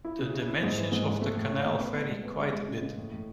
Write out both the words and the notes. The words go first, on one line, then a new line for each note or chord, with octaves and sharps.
The dimensions of the canal vary quite a bit.
E4
C#3
C#3
E4
G#2
E3
G#2
G#2
A3
A2
C#4
A3
B3
B3
G#3
B3
G#3
G#3
C#3
C#3
A2
A2